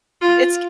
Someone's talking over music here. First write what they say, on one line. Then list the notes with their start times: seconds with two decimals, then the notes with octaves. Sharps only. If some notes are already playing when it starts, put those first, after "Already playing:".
it's g
0.22 F4